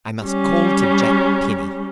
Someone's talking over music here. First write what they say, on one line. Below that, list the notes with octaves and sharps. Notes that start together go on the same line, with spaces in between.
"I must call to Jack Penny."
G3 C#4